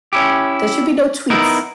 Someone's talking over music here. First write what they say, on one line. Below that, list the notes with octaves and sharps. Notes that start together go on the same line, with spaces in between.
There should be no tweets.
C#4 E4 G4
B3 D#4 E4 A#4